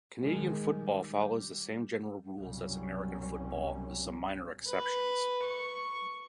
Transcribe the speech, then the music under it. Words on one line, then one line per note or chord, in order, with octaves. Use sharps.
Canadian football follows the same general rules as American football, with some minor exceptions.
D#3 G#3
G3
C2 F#2 B2 F#3 G3 C#4
B4
C#6